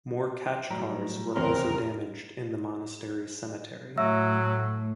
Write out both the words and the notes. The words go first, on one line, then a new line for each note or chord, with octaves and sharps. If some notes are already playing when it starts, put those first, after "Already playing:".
More khachkars were also damaged in the monastery cemetery.
A2 F#3 G3 A#5
F1 E2 C#3 C4 C#4 A#4 C6
A2 F#3 E5 E6